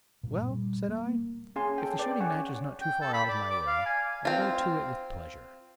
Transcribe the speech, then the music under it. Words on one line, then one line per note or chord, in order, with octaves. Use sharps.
"Well," said I, "if the shooting-match is not too far out of my way, I'll go to it with pleasure."
G2 A#2
G3
A#3
C#4 G#4 F5 G#5 C6
A4 G5
B4 D5 G5
C#4 F#5 G#5 C#6
G5
A4
B5
D5
D6
F5
G#5
C4 F4